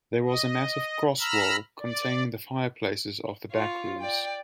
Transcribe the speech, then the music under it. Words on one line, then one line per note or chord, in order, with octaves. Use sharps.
There was a massive cross-wall, containing the fireplaces of the back rooms.
D#5
A#5 B5 E6 F6
D5
F4 C#5
D5 G5